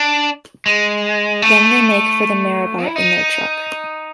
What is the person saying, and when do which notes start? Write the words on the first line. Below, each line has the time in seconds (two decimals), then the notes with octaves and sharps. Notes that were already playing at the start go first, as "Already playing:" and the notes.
Then they make for the marabout in their truck.
Already playing: D4
0.66 G#3
1.42 A3
2.86 E4
2.96 D#4